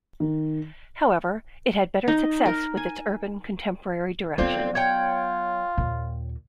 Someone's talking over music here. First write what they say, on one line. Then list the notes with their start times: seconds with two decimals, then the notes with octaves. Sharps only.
However, it had better success with its Urban Contemporary direction.
0.20 D#3
2.08 D#4
2.46 A#4
2.77 G#5
4.38 D3 F#3 B3 C4 F4
4.75 F4 C#5 F#5 G5
5.78 D#2 A#2